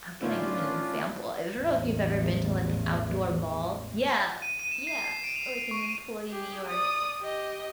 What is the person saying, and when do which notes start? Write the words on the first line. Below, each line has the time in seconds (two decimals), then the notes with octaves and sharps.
how can I give an example? I don't know if you've ever been to, like, an outdoor mall? Yeah yeah, like, an employee or
0.22 A2 D3 D#3 C#4 D4 F4
1.58 A1 E2
4.42 D#7
4.59 D#7
4.72 E7
4.87 C7
5.05 C7
5.24 D7
5.36 F7
5.52 D#7
5.71 C#6
6.28 G4 G#4
6.68 D5 D#6
7.21 G4 D#5